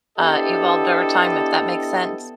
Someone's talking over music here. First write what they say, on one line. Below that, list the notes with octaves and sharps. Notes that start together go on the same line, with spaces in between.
uh evolved over time, if that makes sense.
B3 D4 E4 G4 A4 D#5